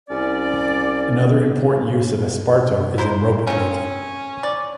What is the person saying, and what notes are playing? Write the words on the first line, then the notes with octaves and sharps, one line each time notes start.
Another important use of esparto is in rope-making.
C2 C#4 D5
E4 A#4 C5
C#3 C4 C#4
D5